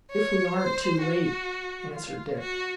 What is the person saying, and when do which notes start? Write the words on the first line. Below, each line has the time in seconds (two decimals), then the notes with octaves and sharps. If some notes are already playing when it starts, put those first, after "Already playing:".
"If we aren't too late," answered Dick.
0.11 C#5
0.57 C5
1.02 F#4
1.93 F4
2.40 F#4